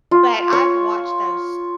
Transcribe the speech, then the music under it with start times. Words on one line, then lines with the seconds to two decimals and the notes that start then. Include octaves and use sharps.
But I've watched those
0.11 F4
0.53 C#5